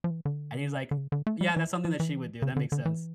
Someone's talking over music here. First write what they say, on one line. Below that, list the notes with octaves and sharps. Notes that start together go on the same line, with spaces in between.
And he was like, "Yeah, that's something that she would do. That makes sense."
F3
E3
D3
D3
C#3
D3
A3
G3
E3
F3
E3
C#3
D3
D3
E3